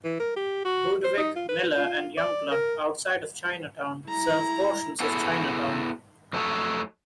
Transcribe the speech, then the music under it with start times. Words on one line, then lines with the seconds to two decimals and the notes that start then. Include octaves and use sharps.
Budewig, Miller, and Youngblood, outside of Chinatown, serve portions of Chinatown.
0.04 E3
0.20 A#4
0.36 G4
0.65 F#4
1.04 C5
1.17 D#4
1.36 F4
1.49 B4
1.77 F4
2.18 D5
2.51 A#4
4.08 E4 A#5
5.00 B3 E4 F#4 G#4 A4
6.33 F2 F#3 A3 D#4 A4 C#5